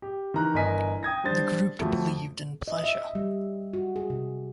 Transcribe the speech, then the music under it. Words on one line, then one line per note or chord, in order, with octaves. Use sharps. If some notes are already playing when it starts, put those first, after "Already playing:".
The Group believed in pleasure ...
G4
D#3 E3 A#5 F#6
G1 E3 A#4 D#5 G#5 B6
G5 D#6 G#6 A#6
G3 D4 C5 A6
F2 F3 F#3 A3
D#5
E5
G3
F#4
G#4
C3